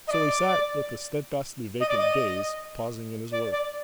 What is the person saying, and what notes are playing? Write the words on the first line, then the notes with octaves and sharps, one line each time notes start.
So he sat, with a steadfastly vacant gaze, pausing in his work.
D#5
D5
D#5
D5
D#5
D5
D5